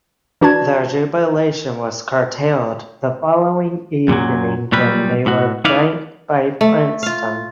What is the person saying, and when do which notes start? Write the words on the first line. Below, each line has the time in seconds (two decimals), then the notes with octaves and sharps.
Their jubilation was curtailed the following evening when they were blanked by Princeton.
0.41 E3 D4 F#4 D5 A5 G#6
4.08 F#2 A#2 D3 F#3
4.72 A#2 F#3 G3 B4
5.26 A2 F#4
5.65 D#4 E4 B4 D5 D#5 F5
6.61 A3
7.03 F4 F5